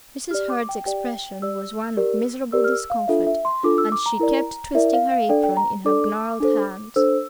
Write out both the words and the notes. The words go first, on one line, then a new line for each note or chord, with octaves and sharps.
Mrs. Hurd's expression was one of miserable discomfort, and she kept twisting her apron in her gnarled hands.
G4 D5 F6
D6
G5
G4 D5 G5
G4 D5 E6
G4 A#4 D5
G4 A#4 D5 E6
F6
E6
F5
D4 F4 A4 E5
E5
C6
D4 F4 A4 D6
E6
D6
A#5
E4 A#4 D5
E4 A#4 D5 E5
F5
F5
D4 A4 D5 G5
G5
A#5
D4 A4 D5 D6
D4 A4 C5
D4 A4 C5 E6